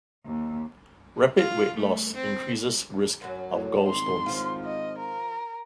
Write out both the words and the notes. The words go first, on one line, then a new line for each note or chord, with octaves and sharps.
Rapid weight loss increases risk of gallstones.
D#2
F4
A3
C4
F#2 F#3
A2
G#1 C6
F3 F4
D#5
A#4